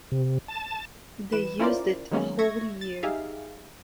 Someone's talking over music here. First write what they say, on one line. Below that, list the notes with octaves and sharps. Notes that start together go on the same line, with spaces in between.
They used it a whole-year.
C3
A5
E3 B4 E7
C#4 E4 F4 A#4 C5 D5
D#3 F#3 G#3 A#3 B3 C#4
E5 C#6 G#6 A#6
A6
D#4 G4 G#4 E5 F5